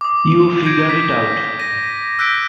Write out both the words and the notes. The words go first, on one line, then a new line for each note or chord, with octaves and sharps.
You figure it out.
D6 D#6
G6 G#6 A#6 D7
B6
A#6 D#7
E6 F#6 G6 B6 D7